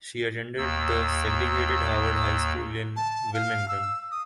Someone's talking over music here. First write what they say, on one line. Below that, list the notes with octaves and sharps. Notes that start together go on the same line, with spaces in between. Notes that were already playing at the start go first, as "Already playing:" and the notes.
She attended the segregated Howard High School in Wilmington.
D#2 E6
A5
F5
E6
D#6